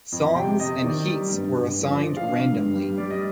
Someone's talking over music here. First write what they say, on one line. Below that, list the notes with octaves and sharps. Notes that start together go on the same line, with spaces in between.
Songs and heats were assigned randomly.
F2
C3 G5
C3 D#5
D#3 D5
G3
G2
G2
F3
D5
F3 D#5
F5
D3
G2
G3
G3 D5
D#5